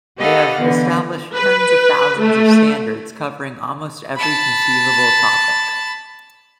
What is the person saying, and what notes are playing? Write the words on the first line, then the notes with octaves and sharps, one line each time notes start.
They have established tens of thousands of standards covering almost every conceivable topic.
G4 A4 B4 D#5 F5 F#5
B2 D3 E3 B3
B4
A3
A5 B5